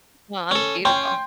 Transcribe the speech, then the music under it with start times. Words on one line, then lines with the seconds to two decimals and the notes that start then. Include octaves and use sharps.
Well, that's beautiful.
0.51 C#4 A4
0.85 C#4 G5 C6